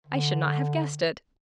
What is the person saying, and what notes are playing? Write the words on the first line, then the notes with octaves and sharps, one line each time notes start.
I should not have guessed it.
D3